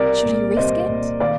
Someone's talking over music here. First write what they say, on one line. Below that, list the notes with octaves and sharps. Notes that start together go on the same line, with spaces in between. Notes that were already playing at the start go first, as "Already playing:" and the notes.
Should he risk it?
Already playing: C2 A#4 D5
A#2
C2 C5 D#5
A#2
D#3 D5 F5